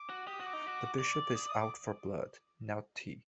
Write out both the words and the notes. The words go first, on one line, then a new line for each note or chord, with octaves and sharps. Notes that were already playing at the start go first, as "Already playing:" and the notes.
The Bishop is out for blood, not tea.
Already playing: D6
F#4
G4 D#6
F#4
D6
D#4
F#4
D5 D6
D#6
D#6
D6